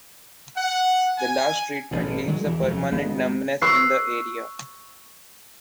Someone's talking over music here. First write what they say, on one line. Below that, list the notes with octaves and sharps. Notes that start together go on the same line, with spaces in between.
The last treatment leaves a permanent numbness in the area.
F#5
G#5
A1 G2 B2
D#3 F#3 G#3
E1 E3 G#3
D#1 F2 C3 F#3
G#1 G#3 B3
C#6 E6 F#6 C7